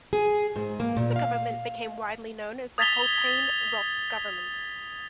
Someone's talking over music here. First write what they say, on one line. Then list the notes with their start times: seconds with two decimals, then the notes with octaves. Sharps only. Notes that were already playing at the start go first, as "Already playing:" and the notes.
The government became widely known as the Haultain-Ross government.
0.13 G#4
0.56 G#2
0.80 A#3
0.97 A#2
1.16 F5
2.78 D#6 G#6 A6 B6 F7 G7